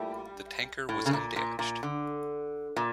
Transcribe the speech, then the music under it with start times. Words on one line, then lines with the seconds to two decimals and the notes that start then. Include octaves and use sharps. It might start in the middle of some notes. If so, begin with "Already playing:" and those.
The tanker was undamaged.
Already playing: A#2 G3 A3 E4 G4
0.89 A2
1.06 C#3
1.13 A#2
1.36 A#2
1.59 A#2
1.83 D3
2.76 A#2